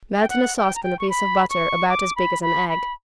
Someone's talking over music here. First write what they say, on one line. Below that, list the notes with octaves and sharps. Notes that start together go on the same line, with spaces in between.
Melt in a saucepan a piece of butter about as big as an egg.
G5
F#5
G5
A#5
G5
C#6
B5
C#6
D6
B5
B5
B5